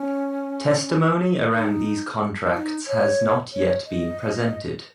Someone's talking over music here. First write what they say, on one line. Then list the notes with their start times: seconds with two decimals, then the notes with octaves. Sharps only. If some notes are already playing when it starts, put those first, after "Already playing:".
Testimony around these contracts has not yet been presented.
Already playing: C#4
1.53 D#4
2.53 F4
2.57 D#4
2.86 C#5
3.53 C#5
3.86 D#5